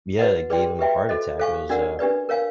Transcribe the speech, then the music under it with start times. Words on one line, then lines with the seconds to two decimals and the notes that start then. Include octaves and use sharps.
yeah, it gave him a heart attack, it was, uh
0.19 F#4 B4 D#5 F#5
0.50 G#4 B4 D5 G5 C6
0.79 G4 B4 E5 G5
1.09 F#4 A4 C5 D#5
1.39 A4 C5 F5 G#5 C#6
1.69 D4 F#4 A#4 D5 F#5
1.99 D4 G4 B4 D5
2.29 A#4 C#5 F5 G#5